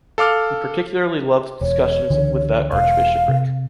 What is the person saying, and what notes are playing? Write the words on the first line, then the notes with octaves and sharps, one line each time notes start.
He particularly loved discussions with that archbishopric.
A4 F5 D6 F6
E1 C#5
C#2 D3 E3
E1 F5
C3